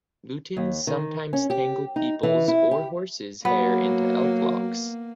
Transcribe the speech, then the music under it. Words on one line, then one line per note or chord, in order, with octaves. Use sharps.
Lutins sometimes tangle people's or horses' hair into elf-locks.
D#2
D#3
C#4
G4
D#4
E3
E4
G4
F#3 A#3 B3